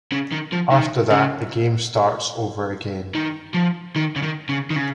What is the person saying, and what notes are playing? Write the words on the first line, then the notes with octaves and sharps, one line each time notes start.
After that, the game starts over again.
C#3
D#3
F3
D#3
C#3
D#3
F3
D#3
C#3
D#3
C#3
D#3
C#3